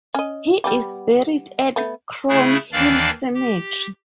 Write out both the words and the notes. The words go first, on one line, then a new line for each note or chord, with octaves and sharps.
He is buried at Crown Hill Cemetery.
C#4 D#5
G3 B3 G4
A3 B3
C#3 A3 E4 G#4 F#6
D#2 D#3 E3 D4 D5 F5
G4